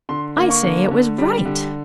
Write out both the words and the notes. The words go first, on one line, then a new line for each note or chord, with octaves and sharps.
'I say it was right.
D3 C6
A#3
C#6
D3
D3
G3
D3